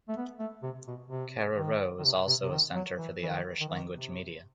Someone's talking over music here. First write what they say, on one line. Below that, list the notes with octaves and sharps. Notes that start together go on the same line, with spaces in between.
Carraroe is also a centre for the Irish-language media.
A3
B3
A3
C3
B2
C3
D#3
D#3
C3
C3
C3
D#3
F#3
E3
E3
D#3
D#3
E3
D#3
C3